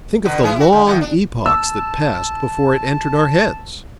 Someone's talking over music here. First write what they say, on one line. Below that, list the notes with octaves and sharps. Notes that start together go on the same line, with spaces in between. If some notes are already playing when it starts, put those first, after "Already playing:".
Think of the long epochs that passed before it entered our heads.
B2 D3 B4
E3 G#4 B4
E4 F#4
D3
E2 D#3 B3
D4
A5 E6